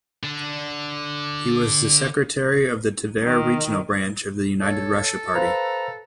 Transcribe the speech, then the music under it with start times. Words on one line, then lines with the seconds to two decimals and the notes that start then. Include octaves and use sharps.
He was the secretary of the Tver regional branch of the United Russia party.
0.23 D3 D4
3.23 D#3
4.61 A4 C#5
5.35 B4 C5 F5 A#5 B5